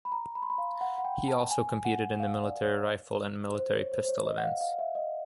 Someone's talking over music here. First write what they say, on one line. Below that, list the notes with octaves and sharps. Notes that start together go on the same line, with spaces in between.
He also competed in the military rifle and military pistol events.
B5
A#5
B5
C6
B5
F5
F#5
F#5
G5
A5
G#5
F#5
F5
D5
C#5
C5
C#5
C5
C5
C#5
D#5
F#5
F5
F5
E5
D#5